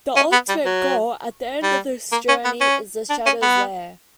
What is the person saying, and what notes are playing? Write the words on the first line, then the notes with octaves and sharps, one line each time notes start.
The ultimate goal at the end of this journey is "The Shadow's Lair".
C#4
B3
G3
F#3
G3
A#3
C#4
B3
C#4
D4
C#4
B3